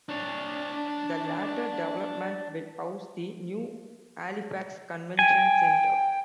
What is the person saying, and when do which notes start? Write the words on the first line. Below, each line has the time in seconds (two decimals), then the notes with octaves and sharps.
The latter development will house the new Halifax Convention Centre.
0.09 D4 C#5
5.19 G5 G#5